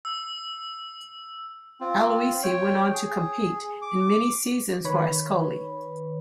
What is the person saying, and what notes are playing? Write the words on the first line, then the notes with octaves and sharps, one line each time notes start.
Aloisi went on to compete in many season for Ascoli.
E6
C4 F4
C#5 G5
G#4
D6
D#3 B4 C#5 B5